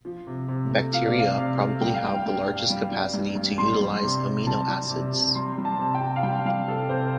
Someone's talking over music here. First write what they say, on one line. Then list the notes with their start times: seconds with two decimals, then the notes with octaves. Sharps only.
Bacteria probably have the largest capacity to utilize amino acids.
0.05 F3
0.27 C3
0.48 C3
0.71 A3
0.93 F3 F5
1.06 D5
1.14 C3 F5
1.38 C3
1.59 A3
1.81 G3 G5
1.94 F5
2.04 G3 G5
2.26 G2
2.47 G2
2.70 G3
2.91 G3
3.14 G2
3.35 G2
3.57 G3 C6
3.80 G3
4.02 C3
4.24 C3
4.47 G3 A5
4.68 G3
4.90 C3
5.13 C3
5.35 G3 C6
5.58 G3
5.65 A5
5.79 C3
5.95 G5
6.01 C3
6.16 F5
6.23 G3 G5
6.45 G3 F5
6.67 C3 A4
6.89 C3 C5